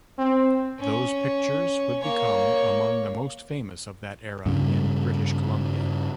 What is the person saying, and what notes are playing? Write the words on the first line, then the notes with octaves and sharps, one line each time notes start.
Those pictures would become among the most famous of that era in British Columbia.
C4
C#4
A#3 C#5
G2 C#3 G3